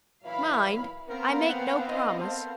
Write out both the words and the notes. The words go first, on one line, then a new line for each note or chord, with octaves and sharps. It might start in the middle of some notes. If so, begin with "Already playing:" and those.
Mind, I make no promise!
A#2 E3 F#3 E4 F5 B5
B3 C4 A#4 F5
C#3 F#5
D4 E4 D#5
A4 A#4 C5